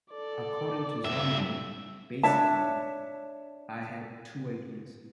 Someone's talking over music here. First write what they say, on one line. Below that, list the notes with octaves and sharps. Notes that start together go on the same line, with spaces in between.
According to Zombie, Basically, I had two ideas.
A4 D5
G2 E5
D4 C#5 E5 A5